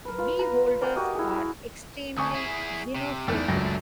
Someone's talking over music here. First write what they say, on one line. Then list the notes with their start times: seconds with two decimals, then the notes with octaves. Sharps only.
Beholders are extremely xenophobic.
0.05 A#4 B4
0.18 F4 B5
0.39 B4 A#5
0.81 A#4 D5 F#5 G#5
0.96 F#4 G4 A#4 D#5
1.15 E4 G#4
2.18 D2 G#5 C#6 D#6
2.35 E4 G#4
2.96 C3
3.28 E2 D#3 A3 D4
3.48 C#2 F#2 A#6